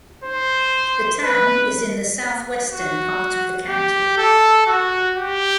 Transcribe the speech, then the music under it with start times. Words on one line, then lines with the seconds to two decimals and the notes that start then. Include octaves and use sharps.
The town is in the southwestern part of the county.
0.24 C5
1.22 B4
2.70 F#4
3.68 G4
4.18 A4
4.67 F#4
5.16 G4